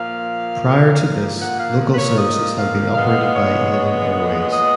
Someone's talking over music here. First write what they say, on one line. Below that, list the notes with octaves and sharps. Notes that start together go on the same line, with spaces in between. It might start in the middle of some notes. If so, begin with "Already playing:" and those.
Prior to this, local services had been operated by Aden Airways.
Already playing: A#2 F3 A#3 F5
F#5
F5
B4
C#5
D#5
F5
A#2 G#3 B3 F5
C#5
C#5
D#5